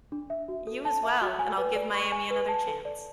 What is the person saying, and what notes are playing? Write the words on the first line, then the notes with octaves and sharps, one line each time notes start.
You as well, and I'll give Miami another chance.
D4
E5
F#4
A4
A5
E5
F#4
G#5
B4
D5
C#6
G#5
B4
A5
A4
D5